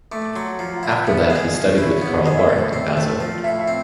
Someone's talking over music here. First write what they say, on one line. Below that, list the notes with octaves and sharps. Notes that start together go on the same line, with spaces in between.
After that he studied with Karl Barth in Basel.
A3 D6
F#3 C6
F3 A#5
F#5
E4 F5
B3 E5
G#3 D5
F3 D5
C#5
E4
C#5
B3 D5
D#5
G#3 D#5
E5
A2
C4
A3
F3
A2 E5
E5
C4